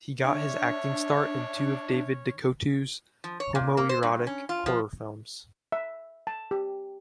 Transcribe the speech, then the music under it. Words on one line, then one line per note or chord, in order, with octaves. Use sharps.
He got his acting start in two of David DeCoteau's homoerotic horror films.
C#4 D4 C#5 E5
F3
C#5
A#2
A#3
C5
G2
C#4
F4
F3
E5
A5
G4